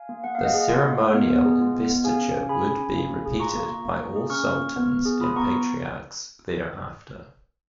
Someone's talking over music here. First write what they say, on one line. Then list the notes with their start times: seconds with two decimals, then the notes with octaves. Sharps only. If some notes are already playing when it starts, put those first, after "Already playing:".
This ceremonial investiture would be repeated by all sultans and patriarchs thereafter.
Already playing: F5 G#5
0.09 A#3
0.24 A#3 F#5
0.35 A#3 F5
0.45 D#5 F#5
0.54 G#4
0.69 F4
0.84 A#3
0.99 A#3
1.14 B3
1.30 B3
1.45 G#4
1.60 F4
1.75 B3
1.90 B3
2.04 G#4 F5 G#5
2.20 C#4
2.35 C#4
2.49 G#4 G#5 B5
2.64 G#4
2.80 C#4
2.94 A#3
3.09 A#3
3.25 G#4
3.40 F4 A#5 C#6
3.55 A#3
3.70 A#3
3.85 A#3
4.01 A#3
4.16 G#4
4.30 C#4 C#6 F6
4.45 A#3
4.61 A#3
4.76 B3
4.91 B3
5.05 G#4
5.21 F4 B5 D#6
5.36 B3 A#5 C#6